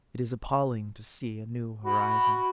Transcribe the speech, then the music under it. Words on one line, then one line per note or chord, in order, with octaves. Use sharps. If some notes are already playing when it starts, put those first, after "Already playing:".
It is appalling to see a new horizon.
F#4 B5